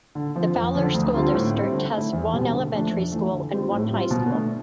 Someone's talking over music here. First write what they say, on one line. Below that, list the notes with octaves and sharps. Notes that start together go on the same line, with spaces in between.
The Fowler School District has one elementary school and one high school.
D3
F3 C4 F4
F2
D3 F3
D2
D3 G3 C4 F4
A2
G3 C4 E4
D3
A3 E4
E2
B2 G3 C4
D3
F3 A3 D4
F2
E3 A3
D3
G3 C4 F4
A2
G3 C4 F4
B2
A3 D4